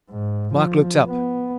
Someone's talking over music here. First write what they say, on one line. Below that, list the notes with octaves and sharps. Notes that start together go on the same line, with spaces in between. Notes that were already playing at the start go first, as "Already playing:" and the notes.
Mike looked up.
G#2
F3
B3